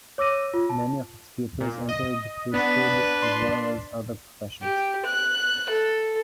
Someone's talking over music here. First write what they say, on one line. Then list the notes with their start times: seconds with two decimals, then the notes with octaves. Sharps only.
Many of its pupils entered the priesthood as well as other professions.
0.18 C#5 D6 E6 A#6 D#7
0.54 F4
0.69 A5
1.61 A#2
1.89 D#5
2.54 B3 D4 B4
3.22 C6
4.62 G4
5.05 F#6
5.69 A4